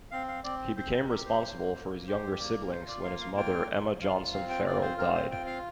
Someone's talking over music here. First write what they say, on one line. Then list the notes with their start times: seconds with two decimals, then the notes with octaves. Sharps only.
He became responsible for his younger siblings when his mother Emma Johnson Farrell died.
0.11 C4 F5
0.28 F5
0.44 C4 D5
0.76 C4 C5
0.93 C5
1.09 G4 A#4
1.25 C5
1.42 A#3
1.74 A#3
2.07 G4 C5
2.39 A#3 D5
2.71 F4 C5
2.88 D5
3.04 A#3 F5
3.21 F5
3.36 F4 G5
3.70 F4
4.02 F4 F5
4.33 C4 F5
4.50 G5
4.66 F4 D5
4.82 C5
4.98 C4 A#4
5.15 C5
5.31 F4 G5
5.47 F5